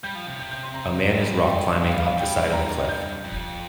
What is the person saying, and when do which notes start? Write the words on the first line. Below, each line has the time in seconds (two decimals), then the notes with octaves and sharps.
A man is rockclimbing up the side of a cliff.
0.03 G3 G6
0.15 F3
0.27 C3
0.39 G6
0.51 G6
0.63 C6
0.74 A#5
1.10 G2
1.46 G5
1.81 G2 F5
1.99 F5
2.17 G2 G5
2.52 A#5
2.89 G6
3.24 F2